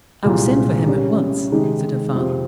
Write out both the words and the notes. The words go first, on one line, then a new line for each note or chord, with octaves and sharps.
"I will send for him at once," said her father.
C2 A#2 G#3
C#3 G3 C#4
C3 D#3 G#3 D#4 G4
F2 C3 F3 C4 G4